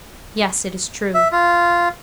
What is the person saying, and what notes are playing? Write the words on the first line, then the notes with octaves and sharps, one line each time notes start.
Yes, it is true.
E5
F4